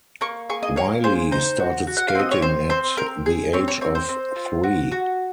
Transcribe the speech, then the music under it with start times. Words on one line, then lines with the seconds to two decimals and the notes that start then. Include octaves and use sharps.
Wylie started skating at the age of three.
0.21 A#3 C#6
0.50 G#4 C#6
0.63 D#5
0.76 A#3 C#5
1.04 G#4 C5
1.31 D#4 C5
1.59 F#4
1.87 F#4
1.97 F#5
2.08 F5
2.15 C4 D#5
2.31 C#5
2.42 C4 C5
2.70 C4 C5
2.97 C4 A#4
3.26 G#4
3.53 C4 C#5
3.68 C#5
3.81 C4 C#5
3.95 C5
4.09 C4
4.36 F4
4.63 F#4
4.92 F#4